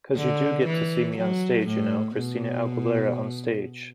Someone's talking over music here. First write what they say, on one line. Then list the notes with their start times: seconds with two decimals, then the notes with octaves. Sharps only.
Cause you do get to see me onstage, you know, 'Christina Aguilera onstage.
0.16 D3
0.66 E3
1.17 F#3
1.67 A2
2.17 B2